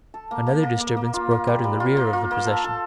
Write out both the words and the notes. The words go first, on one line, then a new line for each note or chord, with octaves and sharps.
Another disturbance broke out in the rear of the procession.
A4
A#3
A#3
A#3
A#3
A#3
F4
A#3
G3
G3
F4
A#3
F4
A#3
A4
A4